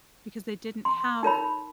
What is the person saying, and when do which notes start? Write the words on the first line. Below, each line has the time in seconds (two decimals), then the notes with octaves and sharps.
because they didn't have
0.85 C6
1.23 D#4 A#4 C#5 B5